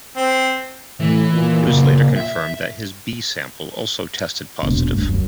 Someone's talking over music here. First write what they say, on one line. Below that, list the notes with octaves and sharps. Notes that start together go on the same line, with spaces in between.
It was later confirmed that his B-sample also tested positive.
C4
A2 E3
A#2
F#2 C#3
E5
E1 A#2
G2
F#2